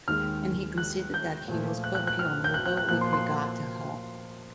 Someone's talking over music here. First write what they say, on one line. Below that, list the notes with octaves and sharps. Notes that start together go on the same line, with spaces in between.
And he considered that he was perfectly honourable with regard to her.
D#2 D#3 G#3 F6
F#6
G6
A#2 F3 A3
F#6
F#6
F#6
F6
G6
F#6
F#6
F#6
A#2 F3 A#3 F#6
C6
C6